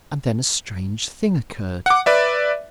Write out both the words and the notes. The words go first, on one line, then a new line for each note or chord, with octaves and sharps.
And then a strange thing occurred.
F#5 D6
B4 D5 E5